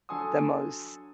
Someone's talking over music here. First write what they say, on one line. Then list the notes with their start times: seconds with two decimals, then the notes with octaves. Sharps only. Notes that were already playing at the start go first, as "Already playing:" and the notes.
the most
0.09 F#3 D4 A4 G#5 C6 D#6